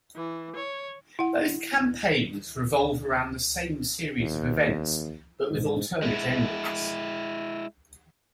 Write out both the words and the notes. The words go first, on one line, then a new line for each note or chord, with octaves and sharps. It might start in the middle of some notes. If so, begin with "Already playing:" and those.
Both campaigns revolve around the same series of events, but with alternate endings.
E3
C#5
E4 F#5
D#2
G#2
G#3 E4